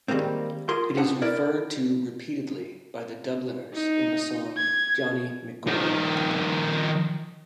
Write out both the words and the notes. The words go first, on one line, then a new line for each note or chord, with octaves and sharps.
It is referred to repeatedly by the Dubliners in the song "Johnny McGory".
D#3 G3 G#3 A#3 C4
F4 G#4 A#4 C6
B3 C4 D4 C5 F#5
E4 A#4 B4 D5
D#4
G#6
D#3 F3